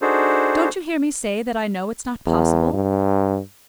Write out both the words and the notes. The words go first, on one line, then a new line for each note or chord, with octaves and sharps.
Don't you hear me say that I know it's not possible?
D4 D#4 F#4 G#4 A4 C5
E2
G2